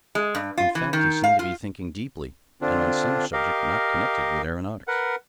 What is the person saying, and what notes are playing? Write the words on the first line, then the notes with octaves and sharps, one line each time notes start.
In fact he seemed to be thinking deeply, and on some subject not connected with aeronautics.
G#3
G2
F4
E3
D#3
F5
F4
D3 C4 D4 F4
G4 A#4 D#5 F5
A#4 B4 F#5